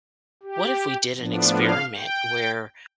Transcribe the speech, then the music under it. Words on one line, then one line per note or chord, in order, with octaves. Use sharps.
what if we did an experiment where
G4
A2 F3 B3 D4
F5
G5